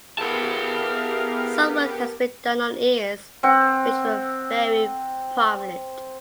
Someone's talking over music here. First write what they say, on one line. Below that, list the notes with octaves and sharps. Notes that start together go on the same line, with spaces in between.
Some work has been done on ears which were very prominent.
B3 E4 G4 G#4 A#4 F5 A5
C4 F#5